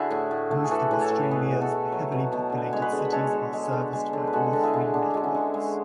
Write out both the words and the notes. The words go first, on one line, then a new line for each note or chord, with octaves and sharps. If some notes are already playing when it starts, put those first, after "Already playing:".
Most of Australia's heavily populated cities are serviced by all three networks.
Already playing: D3 E4 F#4 G#4
A2
A2
A3
G#4
E3 F#4 A4
A2 B4
A4 C#5
A2
B2 G#4 B4
B2
F#4 A4
A3
F#3
B2
B2
D3
G#3 C#5
G#4 B4
D3
G#3 A4 C#5
D3
G#3
D3
G#3
D3
B4
G#3 F#4 A4
D3
E4 G#4
G#3
D3 D4
G#3 F#4
C#4 E4
D3
G#3